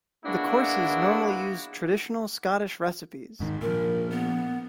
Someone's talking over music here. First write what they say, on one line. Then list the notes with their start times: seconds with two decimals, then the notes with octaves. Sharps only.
The courses normally use traditional Scottish recipes.
0.25 G#3 A#3 B3 D4 E4 F#4
3.40 G#2 D#3
3.62 A#2 F3 A#4
4.10 B3